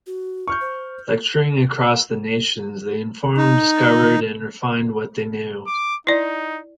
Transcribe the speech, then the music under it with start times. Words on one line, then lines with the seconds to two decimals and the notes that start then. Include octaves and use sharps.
Lecturing across the nation, they informed, discovered, and refined what they knew.
0.07 F#4
0.47 C#6 F6 G6
0.61 C5
3.37 D#4
5.67 D6
6.07 D#4 E4 D5